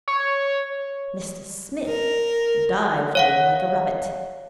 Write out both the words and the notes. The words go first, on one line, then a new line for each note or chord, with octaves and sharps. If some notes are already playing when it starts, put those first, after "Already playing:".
Mr Smith dived in like a rabbit.
C#5
A#4
C#5 F5 F#5